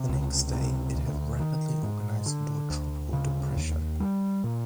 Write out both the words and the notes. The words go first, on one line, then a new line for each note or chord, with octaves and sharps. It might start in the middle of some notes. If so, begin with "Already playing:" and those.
The next day, it had rapidly organized into a tropical depression.
Already playing: C3
C#2
C3
D2
D#3
G#2
D3
D2
C#3
D#2
G3
A#2